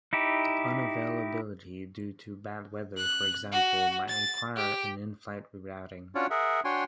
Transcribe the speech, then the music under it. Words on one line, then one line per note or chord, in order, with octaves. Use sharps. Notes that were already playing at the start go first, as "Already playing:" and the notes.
Unavailability due to bad weather, for example, might require an inflight rerouting.
D#4 E4 G4
F#6
F#4
A6
G4
C#4 D4 F4 F#4 C#5 D5
G#4 A#4 E5 F#5
D4 F#4 C#5 G5 G#5 C6